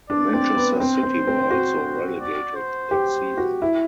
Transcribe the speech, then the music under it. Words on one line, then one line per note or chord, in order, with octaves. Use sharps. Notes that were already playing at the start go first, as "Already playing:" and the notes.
Manchester City were also relegated that season.
D4 D5
C4
B3
C4 C5
C4
C4
F#4
D5
C5
G4
F#4
E4